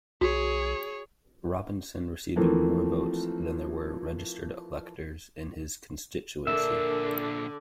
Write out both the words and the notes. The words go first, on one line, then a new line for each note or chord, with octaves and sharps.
Robinson receiving more votes than there were registered electors in his constituency.
B1 F#4 G#4 C#5
E3 F3 A3 A#3 C4
A#2 D3 D4 A#4 E5